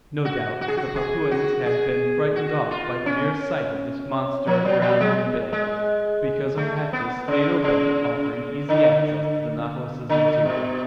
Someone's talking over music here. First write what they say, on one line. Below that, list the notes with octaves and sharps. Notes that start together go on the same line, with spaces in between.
No doubt the Papuans had been frightened off by the mere sight of this monster aground in the bay, because our hatches stayed open, offering easy access to the Nautilus's interior.
F#4
F#4
G#4
F#4
G#4
F#4
G#4
F#4
F4
C#4
F3
F#3
F#3
G#3
G#3
A3
B3
C#3
C#3
D3
D3
B2